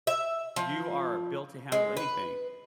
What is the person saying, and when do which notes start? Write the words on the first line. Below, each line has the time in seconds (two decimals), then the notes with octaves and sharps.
You are built to handle anything.
0.07 E5
0.56 F3
1.72 G#3
1.97 B4